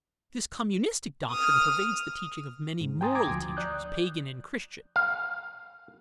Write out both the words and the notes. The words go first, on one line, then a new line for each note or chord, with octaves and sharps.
This communistic doctrine pervades the teaching of many moral teachers, pagan and Christian.
D#6 F6
G#2
G5 G#5 A#5 C6 D#6 A6
A#5 D6 G#6
D2 F3
D5 D#6 F#6 G6
F5